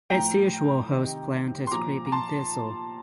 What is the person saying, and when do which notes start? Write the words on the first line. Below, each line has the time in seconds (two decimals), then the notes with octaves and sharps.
Its usual host plant is creeping thistle.
0.10 A2 F3 G5 A#5
0.91 C3 D#3
1.67 C6
1.71 A#2 F3 A#5 D6
2.06 A#5
2.12 A5 C6